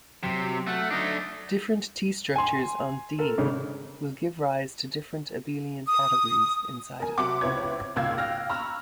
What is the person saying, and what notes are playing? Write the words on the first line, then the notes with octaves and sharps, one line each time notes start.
Different t-structures on "D" will give rise to different abelian categories inside it.
C3 F#3
A3 F#5
A3 D4 D#4
G#5 C6
A4 A#4
G#1 C#3
D#6
A#4 G#5
C3 F#3 E5 F#5 C6 D6
C#2 C4 E4 B4 C#5 G#6
G#1 C#2 A#2 F5 E6 G#6
F5 G5 F6 F#6 A#6
A#5 B5 C#6 E6 F6